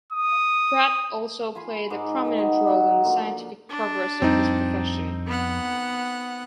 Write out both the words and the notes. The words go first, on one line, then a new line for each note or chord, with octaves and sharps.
Pratt also played a prominent role in the scientific progress of his profession.
D#6
F4 G#5 B5 C6
G#2 D#4 A#4 D6
D#3 B4 D#5
F#4 C5 D#5
F#3 D#4
D3 F3 A#3
D4
F2 G3 C4 D#4
B3 F#5